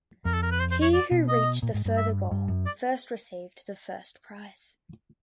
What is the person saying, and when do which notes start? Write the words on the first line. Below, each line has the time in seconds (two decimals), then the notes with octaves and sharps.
He who reached the further goal first received the first prize.
0.25 F2 A#4
0.34 A4
0.43 A#4
0.51 B4
0.59 C5
0.71 C5
0.82 C#5
0.94 D5
1.11 B2
1.29 D#5
1.62 A#2
1.74 G#2
1.85 G2
1.97 E5
2.31 G2
2.48 F#2
2.66 D5